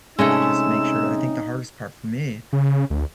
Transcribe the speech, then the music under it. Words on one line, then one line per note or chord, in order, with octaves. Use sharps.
uh, just make sure I think the hardest part for me
C3 G#3 A3 C#4 D#4 E6
C#3
D2